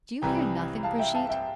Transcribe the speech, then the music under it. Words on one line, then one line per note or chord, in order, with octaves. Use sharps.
Do you hear nothing, Brigitte?
C2 C3 E3 G3 G5 A#5
F5 A5
E5 G5
F5 A5
E5 G5